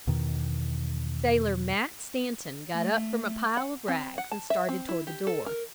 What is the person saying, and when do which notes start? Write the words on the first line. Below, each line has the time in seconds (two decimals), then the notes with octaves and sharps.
Sailor Matt Stanton got up from a pile of rags and started toward the door.
0.07 E2 B2 D#3
2.74 A3
3.57 F#5
3.88 C4
4.18 F#5
4.32 A5
4.50 E5
4.69 C4
4.89 E4
5.07 G4
5.27 A4
5.46 A#4